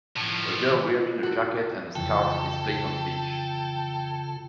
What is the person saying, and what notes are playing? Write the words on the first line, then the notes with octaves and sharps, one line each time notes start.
A girl wearing a jacket and scarf is playing on the beach.
A2 F3
F4
D#2 A#2 E4 F#4 A4
F2 C#3 E3 F4 A4 G5